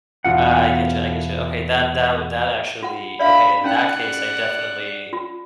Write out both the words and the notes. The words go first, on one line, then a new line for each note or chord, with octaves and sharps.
I get you I get you, okay, that that that actually okay, in that case, I definitely
E2 B2 D#3 F4 F#5
F4 F#5
D4 D5 E5 F5 B5
C#4 D#4 D5 F#5
F4